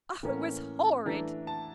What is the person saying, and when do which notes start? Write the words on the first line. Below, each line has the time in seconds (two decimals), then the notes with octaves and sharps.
Oh, it was horrid!'
0.23 A2 E3 A#3 C#4
1.06 E3 A3 D4 A#5
1.47 A5